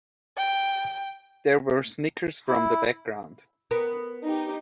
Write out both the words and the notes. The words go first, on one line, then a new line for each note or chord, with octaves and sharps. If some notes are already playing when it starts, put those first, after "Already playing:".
There were snickers from the background.
G5
E4
B3 A#4
D#4 G4